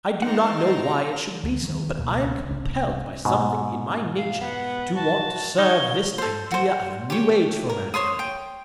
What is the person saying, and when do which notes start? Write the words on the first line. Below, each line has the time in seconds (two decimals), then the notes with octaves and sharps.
I do not know why it should be so, but I am compelled by something in my nature to want to serve this idea of a new age for mankind.
0.22 G#3 C4 D#4 F#5 A5 A#5 C6
1.43 D2
1.63 D#3 F3 G3 C4
1.98 C#2 G#2 B2 A#3
2.51 C2 C3 A3 D4
3.25 G#2 B2
4.18 F5
4.41 B3 F#5
4.95 F#4 A5
5.58 D#4 C#5 G7
6.18 A4 C5
6.51 F#4 C5
7.10 G4 C#5
7.69 A#4
7.94 C5 C#5 C6 D#6
8.19 G5